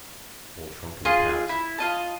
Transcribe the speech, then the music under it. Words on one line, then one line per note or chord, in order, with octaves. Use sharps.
Old shrunken paps.
F4 G#4 D#5 C6
E4
F4 D#5 A5